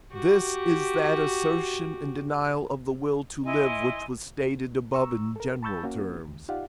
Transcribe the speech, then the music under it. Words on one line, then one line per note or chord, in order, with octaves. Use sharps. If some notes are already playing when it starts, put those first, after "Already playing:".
This is that assertion and denial of the will to live which was stated above in general terms.
F#4 G4
E4 D#5 G#5 C6
A#5 C#6 E6
A4 A#4
A5 B5 C#6 E6 G6 A6
A#3 C#4 F#4 C#5
D#2
D#4 F4 G4 D5 F5 F#5